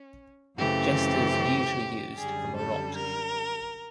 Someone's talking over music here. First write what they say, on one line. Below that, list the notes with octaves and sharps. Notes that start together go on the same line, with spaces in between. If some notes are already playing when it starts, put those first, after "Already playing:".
Jesters usually used a marotte.
Already playing: C#4
F#2 C#3 E3 A3 C4 G4
F#2 D3 G3 G#4
A4
A#4